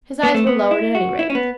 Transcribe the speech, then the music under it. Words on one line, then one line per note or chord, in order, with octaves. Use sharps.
His eyes were lowered, at any rate.
B3
A3
B3
E4
F#4
E4
C#4
B3